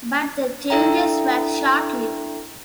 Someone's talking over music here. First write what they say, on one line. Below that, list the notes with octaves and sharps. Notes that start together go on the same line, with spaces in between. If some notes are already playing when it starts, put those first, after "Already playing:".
But the changes were short-lived.
D4 E4 A4 E5 G5 A#5